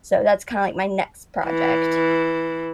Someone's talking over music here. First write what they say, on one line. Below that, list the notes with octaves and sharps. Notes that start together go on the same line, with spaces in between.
So that's kinda, like, my next project.
E3